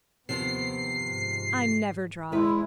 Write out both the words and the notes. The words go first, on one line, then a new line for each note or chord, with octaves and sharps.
I'm never dry.
D#2 C3 D#3 F3 B3 C7
G#2
A#1 E2 G#3 E4 B4